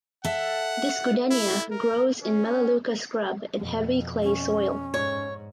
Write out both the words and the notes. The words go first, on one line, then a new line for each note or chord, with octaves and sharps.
This goodenia grows in "Melaleuca" scrub in heavy clay soil.
A4 E5 F#5
E4
A#4
C#4
F2 B2
C#4
G#2 C#5